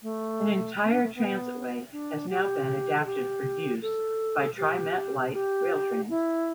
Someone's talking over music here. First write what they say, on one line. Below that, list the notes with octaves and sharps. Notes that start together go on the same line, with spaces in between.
The entire transitway has now been adapted for use by TriMet light rail trains.
A3
B3
D4
A3
B3
D4
G4
A4
G4
A4
G4
G4
E4